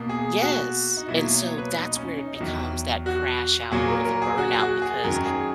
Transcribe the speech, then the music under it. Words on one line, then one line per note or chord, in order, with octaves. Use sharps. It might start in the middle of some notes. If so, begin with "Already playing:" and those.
yes, and so that's where it becomes that crash out, or the burnout because
Already playing: B2 A#3
G#4
F#4
D#4
B2 F#3 A#3 E4
E4
C#5
B4
D#4
C#4
D#4
D#4
E2 D#3 F#3 E4
F#4
A#2 F#3 A#3 G#4
A#4
A#4
G#4
F#4
G#4
F#4
G#4
F#2 D#3 F#3 A#4
G#4